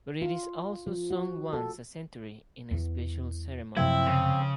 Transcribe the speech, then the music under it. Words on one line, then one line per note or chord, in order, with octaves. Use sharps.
But it is also sung once a century, in a special ceremony.
F4
F3
F#4
A4
E2 E3
F#2 C3 F3 F#3 C4 E4
C#3